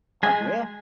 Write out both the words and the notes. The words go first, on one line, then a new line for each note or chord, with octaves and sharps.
Glad you're here.
G#3 G#5